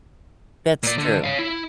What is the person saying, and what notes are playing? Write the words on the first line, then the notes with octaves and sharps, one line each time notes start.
That's true.
A#2 D5
D3
C#5 F5
E4